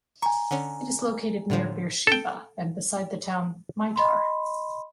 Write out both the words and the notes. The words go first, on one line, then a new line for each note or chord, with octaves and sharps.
It is located near Beersheba and beside the town Meitar.
G#5 A#5 C#6
D3 C#4
A2 D3 F3
A4 G5
D#5 B5 C6